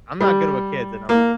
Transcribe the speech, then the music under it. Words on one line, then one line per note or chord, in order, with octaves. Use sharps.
I'm not good with kids," and I'm like
G3
A#3